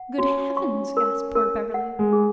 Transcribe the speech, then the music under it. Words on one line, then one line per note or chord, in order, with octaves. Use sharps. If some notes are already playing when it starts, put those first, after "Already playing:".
"Good heavens!" gasped poor Beverly.
Already playing: F#5
C#4 F#4
C#6
A#4
A#4
F#5
G#3
G#4